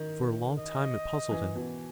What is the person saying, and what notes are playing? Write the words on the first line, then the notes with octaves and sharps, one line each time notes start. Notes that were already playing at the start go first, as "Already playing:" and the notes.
For a long time it puzzled him.
Already playing: D#3
D#5
E3
B2